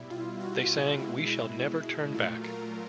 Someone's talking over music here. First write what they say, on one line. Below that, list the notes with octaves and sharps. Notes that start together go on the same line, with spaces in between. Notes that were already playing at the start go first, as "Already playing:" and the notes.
They sang, We Shall Never Turn Back.
Already playing: B2 G3 E4
F4
F#4
F4
B2 G#3 E4
E4
A#2 F#3 A3 F4
A#4